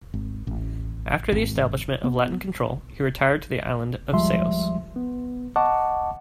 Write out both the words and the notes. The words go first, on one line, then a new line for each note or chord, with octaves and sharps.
After the establishment of Latin control, he retired to the island of Ceos.
G#1
A1
G#1
B3
D#2 F3 G3 G#3 E5 C6
B3
D#5 F#5 A5 C#6 D6